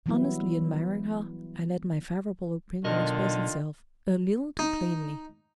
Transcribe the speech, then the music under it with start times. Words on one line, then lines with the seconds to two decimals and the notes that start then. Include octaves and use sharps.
Honestly admiring her, I let my favorable opinion express itself a little too plainly.
0.06 E3 F#3 G3 B3 E4
2.85 B1 D3 D#3 F4 A#4 D#5
4.59 D#4